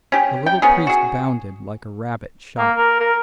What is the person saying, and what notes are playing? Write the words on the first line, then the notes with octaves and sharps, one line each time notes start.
The little priest bounded like a rabbit shot.
C#4 G4
G5
B3 C#4 G#4
F#4 G#4
A#3
A#4
A#4